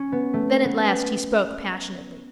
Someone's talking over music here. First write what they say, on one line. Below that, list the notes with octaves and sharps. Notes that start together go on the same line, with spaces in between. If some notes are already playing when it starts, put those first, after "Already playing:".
Then at last he spoke passionately.
Already playing: C#4
B3
A3
B3